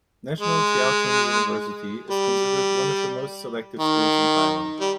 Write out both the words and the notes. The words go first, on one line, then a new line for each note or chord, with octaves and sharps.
National Chiao Tung University is considered one of the most selective schools in Taiwan.
G#3
G3
D#3
G3